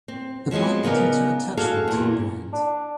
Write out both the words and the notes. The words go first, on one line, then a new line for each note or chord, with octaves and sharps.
It might be due to attachment to the brand.
C4
F3 F#3 G#3 B3 C4
C#3 B3 D#4 A#4 D5
F#4 G#4 A4 D5 F5
E2 A#2
D4